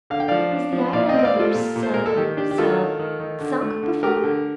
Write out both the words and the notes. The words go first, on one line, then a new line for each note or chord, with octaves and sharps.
"Was the island ever sub-sub-sunk before?"
D3 F5
G5
F3 D5 F5
D4
F3
A#2 D5 F5
D#5 G5
C4
D#5
D5 F5
G3
F4 A4
A#2
A#2
C5
A#2 A#4
A4
D#3 G4
D4 G4
G4
D#3 F4 A4
D#3
D#3
D#3
D3
A3
D3
A3 G4 A#4
D3